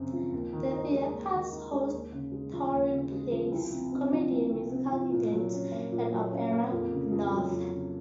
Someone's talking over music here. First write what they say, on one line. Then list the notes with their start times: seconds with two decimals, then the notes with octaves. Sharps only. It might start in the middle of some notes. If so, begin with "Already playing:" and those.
The theatres host touring plays, comedy and musical events and Opera North.
Already playing: F#2 C#3 C4
0.13 F3
0.33 D#2
0.53 D#3
0.73 D#4
0.92 G#3
1.12 D#2
1.32 D#3
1.53 D#4
1.72 G#3
1.92 D#2
2.12 C#3
2.32 G#3
2.53 F3
2.72 D#2
2.92 C#3
3.12 G#3
3.32 F3
3.52 C2
3.72 C3
3.92 C4
4.13 F3
4.32 C2
4.52 C3
4.72 C4
4.92 F3
5.12 A#2
5.32 F#3
5.52 C#4
5.72 A#3
5.92 A#2
6.11 F#3
6.31 C#4
6.51 A#3
6.72 F2
6.91 C#3
7.12 F2
7.32 F#3
7.51 F2
7.71 C#3